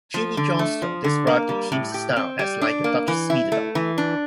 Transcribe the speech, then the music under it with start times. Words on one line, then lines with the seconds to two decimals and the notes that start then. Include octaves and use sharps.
Jimmy Johnstone described the team's style as like the Dutch speeded-up.
0.14 F3
0.37 D3
0.59 A3
0.82 F3
1.04 D3
1.27 A#3
1.49 G3
1.72 A2
1.94 G4
2.16 C4
2.39 G3
2.61 D4
2.84 A#3
3.08 E3
3.30 E4
3.52 A3
3.75 E3
3.98 D4